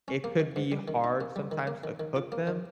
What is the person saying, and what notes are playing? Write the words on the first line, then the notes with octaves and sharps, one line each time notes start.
it could be hard sometimes to cook them
C#4
A#3
D#3
G#2
G3
D#3
D#4
A#3
G3
D#3
A#3
D#3
D#3
F4
A#3
D#3